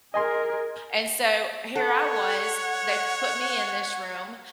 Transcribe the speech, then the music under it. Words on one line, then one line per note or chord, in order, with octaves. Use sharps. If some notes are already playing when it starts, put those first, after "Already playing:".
and so here I was, they've put me in this room,
G#4 A#4 D#5 G#5 C6
A4 C#5 F#5